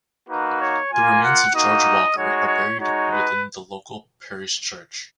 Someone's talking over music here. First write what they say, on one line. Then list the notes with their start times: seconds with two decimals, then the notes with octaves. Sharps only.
The remains of George Walker are buried within the local parish church.
0.29 A#3 D#4 F#4 B4
0.60 C#5
0.91 A#3 F4 G#5
1.22 F#5
1.54 A#3 D#4 F#4 D#5
2.16 G#3 D#4 F#4 C#5
2.47 C#5
2.78 G#3 D#4 F#4 C#5
3.10 B4